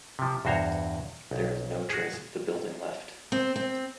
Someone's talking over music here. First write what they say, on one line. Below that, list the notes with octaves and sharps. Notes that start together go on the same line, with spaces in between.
There is no trace of the building left.
C3 F3
E2 G2 F#4 C5 C#5 A#5
B1
F#4 G#4
C4
C4